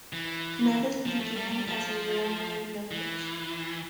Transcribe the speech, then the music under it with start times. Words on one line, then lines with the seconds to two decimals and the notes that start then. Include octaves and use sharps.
Nevis began as a railway village.
0.13 E3
1.06 F3
1.20 A3
1.36 G3
1.52 G3
1.68 F3
2.91 E3